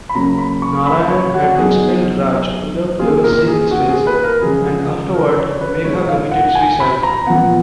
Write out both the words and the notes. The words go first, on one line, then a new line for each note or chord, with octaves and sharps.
Narayan had expelled Raj without ever seeing his face, and afterward Megha committed suicide.
B5
C#3 F#3 A#3 C#4 A#5
B5
C#6
B5
C#5
F#4
F#3 B3 D#4 G#4
D#3 A#3 F4 G#4
A#4
G#4
F#4
G#4
B4
A#4
C#3 F3 G#3 G#4
A#4
C#5
B4
A#2 G#3 D#4 C#5
F5
F#5
G#5
B5
A#5
A#2 F3 B3 F#5